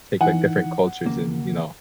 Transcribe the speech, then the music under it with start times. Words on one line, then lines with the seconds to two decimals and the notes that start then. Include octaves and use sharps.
take, like, different cultures and, you know
0.21 E3 D#4 F#5 G#5
1.05 D#2 C#3 A#3